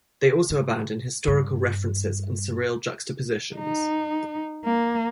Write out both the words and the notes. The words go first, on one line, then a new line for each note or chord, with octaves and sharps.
They also abound in historical references and surreal juxtapositions.
G#2
G2
D#4
A#3